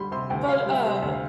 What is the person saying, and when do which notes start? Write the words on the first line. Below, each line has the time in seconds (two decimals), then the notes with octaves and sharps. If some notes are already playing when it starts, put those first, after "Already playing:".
But, uh,
Already playing: D2 G3 B5 C6
0.12 C3 C6
0.30 D2 G5
0.48 D2 F5
0.66 G3
0.72 E5
0.85 C3
0.97 E5
1.02 D2
1.13 F5